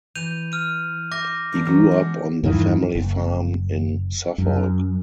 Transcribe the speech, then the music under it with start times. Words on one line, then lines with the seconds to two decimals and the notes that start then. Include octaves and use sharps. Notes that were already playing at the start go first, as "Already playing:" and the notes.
He grew up on the family farm in Suffolk.
0.15 E3 G6 D#7 F7
0.52 F6 D#7
1.11 E5 D6 G6 A#6
1.53 E3 A#3 D4
1.65 E3 F#3
1.91 G#3 B3 D4
2.43 E2 G2 D#3 E3
2.95 F#1
4.38 F#2